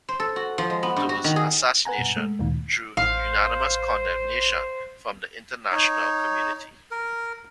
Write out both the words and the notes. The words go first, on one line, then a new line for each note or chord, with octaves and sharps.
Bhutto's assassination drew unanimous condemnation from the international community.
C5
A4
F#4
F3
G#3
B3
G2
F#4
D#3
G#4
B4 F#5 G#5 A#5
G2 B2
G#3 A3
D2 G2 A#2 D#3
A1 C5 F5
D#4 C#5
A#4